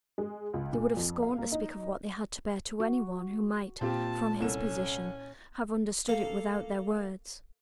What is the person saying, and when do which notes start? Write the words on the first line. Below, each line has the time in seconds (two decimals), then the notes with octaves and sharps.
They would have scorned to speak of what they had to bear to any one who might, from his position, have understood it without their words.
0.18 G#3
0.54 C#2
0.73 A#2
0.97 F2
1.23 F5
1.38 A#3
1.52 D#4
2.80 F#4
3.81 A#2 C4 F4 G4 A5
4.40 C2 C#4 A4 E7
6.08 A#3 A4 F5